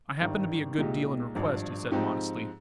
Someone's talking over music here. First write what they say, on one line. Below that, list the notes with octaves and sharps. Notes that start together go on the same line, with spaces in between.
"I happen to be a good deal in request," he said modestly.
G#1 G2 D#3
C2 A#2 G#3 D#4 G4
G#1 G2 F3
G#2 F3 C4 D#4 G4